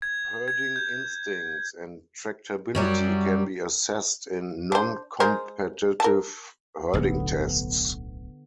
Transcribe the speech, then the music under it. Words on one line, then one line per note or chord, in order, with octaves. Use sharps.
Herding instincts and tractability can be assessed in noncompetitive herding tests.
G#6
G#6
G6
F#2 F#3 G3
D4 C5
G#3 A#4 C5
A#4 A5
D1 B1 D3 B3